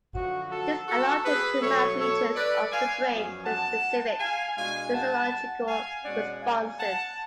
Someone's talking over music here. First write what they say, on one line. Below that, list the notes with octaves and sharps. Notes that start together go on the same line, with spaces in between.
This allowed him to map regions of the brain to specific physiological responses.
F#2 D3 F3 F#4
F#4 A4
F#4 A4
G#4 B4
B2 F#3 A3 A4 C#5
A4 C#5
B4 D5
F5 G#5
F#2 F3 B3
F#5 A5
F5 G#5
B2 G#3 D4 F5 G#5
F#5 A5
F5 G#5
B2 G#3 C#4 D5 F#5
F5 G#5
F#5 A5